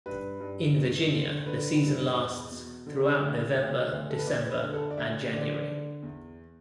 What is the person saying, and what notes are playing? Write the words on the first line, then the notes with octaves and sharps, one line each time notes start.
In Virginia, the season lasts throughout November, December, and January.
G2 B4
G2
E2
D3
D3 B4
G2
E2
B2
D3
D2
D2
D2
A4
B4
E2 D5
B4
D3
A4
D5
D2 E5
D3 D5
D3
E2